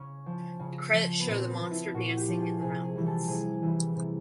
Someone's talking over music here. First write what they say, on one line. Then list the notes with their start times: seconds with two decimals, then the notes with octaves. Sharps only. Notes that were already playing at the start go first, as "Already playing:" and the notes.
The credits show the monster dancing in the mountains.
Already playing: C#3 C#4
0.26 F3
0.60 C#3
0.93 F3
1.20 B3
1.27 A#2 C4
1.49 B3
1.60 F3
1.71 E4
1.94 A#2 F#4
2.17 G4
2.28 F3
2.39 G#4
2.61 C3 G#4
2.84 G#4
2.95 E3 G3
3.06 A4
3.28 C3 G#4
3.62 E3 G3
3.95 C3